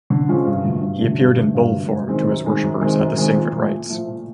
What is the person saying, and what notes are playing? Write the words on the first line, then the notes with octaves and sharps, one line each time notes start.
He appeared in bull form to his worshipers at the sacred rites.
D3
F3 G#3 C#4 F4
G2
D3 F#3 A3
G2
D3 F#3 A3
G2
D3 F#3 A3
G2
D3 F#3 A3
F#2
D#3 G#3 C4
F#2
D#3 G#3 C4
F#2
D#3 G#3 C4
F#2
D#3 G#3 C4
A#2
F3 A3
A#2
F3 A3
A#2